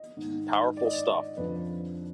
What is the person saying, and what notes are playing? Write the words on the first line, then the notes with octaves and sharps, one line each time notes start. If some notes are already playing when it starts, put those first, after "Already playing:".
Powerful stuff.
Already playing: D#5
G#2 D#3
D5
D#5
D5
F2 D3 F3 B4